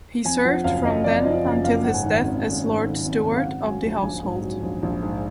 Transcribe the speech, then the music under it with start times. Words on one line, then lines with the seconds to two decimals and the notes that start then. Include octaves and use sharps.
He served from then until his death as Lord Steward of the Household.
0.25 F2 G#5
0.45 F3 F#5
0.64 F#1 F5
0.84 F#1 D#5
1.04 F2 D5
1.24 F3 D#5
1.44 F#1
1.64 F#1 F5
1.84 G#2 F#5
1.94 G#5
2.03 D#3 F#5
2.24 G#1
2.43 G#1
2.63 G#2
2.84 D#3
3.04 G#1
3.23 G#1
3.37 F5
3.43 G#2 F#5
3.63 F#3 G#5
3.82 A#1
4.02 A#1 G#5
4.23 G#2
4.42 F#3
4.62 A#1
4.82 A#1
5.02 G#2